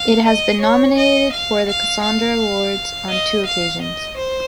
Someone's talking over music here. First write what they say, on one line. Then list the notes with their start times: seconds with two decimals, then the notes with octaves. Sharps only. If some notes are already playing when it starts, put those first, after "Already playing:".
It has been nominated for the Casandra awards on two occasions.
Already playing: F5
0.26 D#5
0.61 C#5
0.97 D#5
1.32 F5
1.68 F5
2.03 F5
3.09 D#5
3.45 F5
3.81 D#5
4.16 C5